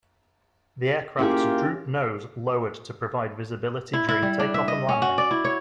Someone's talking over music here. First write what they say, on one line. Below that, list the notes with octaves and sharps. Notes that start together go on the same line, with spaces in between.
The aircraft's Droop-nose lowered to provide visibility during takeoff and landing.
A#3 C#4 E4 F4 G4 G#4
E4
E4
G3
D4
E5
D#5
C#4
F#4
D5
E4
C#5